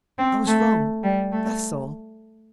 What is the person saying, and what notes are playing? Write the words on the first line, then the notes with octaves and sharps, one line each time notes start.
I was wrong, that's all.
C4
A3
G3
A3